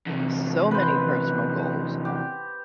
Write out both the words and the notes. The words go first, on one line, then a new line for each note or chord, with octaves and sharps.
so many personal goals,
E2 C3
B4 C5
G4